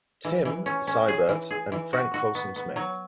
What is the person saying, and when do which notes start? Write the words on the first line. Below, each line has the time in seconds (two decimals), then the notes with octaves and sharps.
"Tim" Seibert, and Frank Folsom Smith.
0.25 E3
0.45 E3
0.66 C#4
0.87 C#4
1.08 G#4
1.29 E3
1.51 G#4
1.72 E3
1.93 F#4
2.14 F#4
2.35 B3
2.56 B3
2.76 F#3